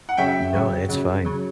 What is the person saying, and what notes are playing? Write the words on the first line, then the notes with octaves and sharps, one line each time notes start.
No, it's fine.
F#5
F#2 C#3 F#3 E5 G5
F#2 C#3 F#3
F#2 C#3 F#3
C#3 F#3